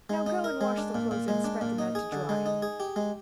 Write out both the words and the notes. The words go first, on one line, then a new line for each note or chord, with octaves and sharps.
Now go and wash the clothes and spread them out to dry.'
G#3
D#4
A#4
G#3
D4
A#2
A#2
G#3
D4
A#2
D#4
G#4
D3
G#3
D#4
G#4
G4
G#3